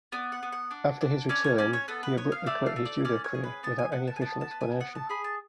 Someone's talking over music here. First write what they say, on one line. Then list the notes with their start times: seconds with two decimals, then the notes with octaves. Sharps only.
After his return, he abruptly quit his judo career without any official explanation.
0.12 B3 D5
0.32 F#5
0.43 B3
0.52 F#5
0.71 D4
1.01 D4
1.29 C#4 D5
1.44 C#5
1.58 C#4 D5
1.73 C#5
1.88 B3 A4
2.03 B4
2.17 B3 C#5
2.32 F5
2.46 A3 D5
2.66 F5
2.76 A3
2.85 D5
3.05 C#4 D5
3.24 C#5
3.34 G#4
3.44 B4
3.63 B3 A5
3.78 G#5
3.92 B3 F#5
4.07 A5
4.16 G#5
4.21 B3 A5
4.41 A5
4.51 B3
4.61 G#5
4.80 B3 F#5
4.95 A5
5.09 G#4 B5
5.24 A5